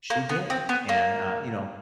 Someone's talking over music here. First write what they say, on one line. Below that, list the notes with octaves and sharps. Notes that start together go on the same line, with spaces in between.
she did, and, uh, you know,
A#3
B3
C4
B3
A#3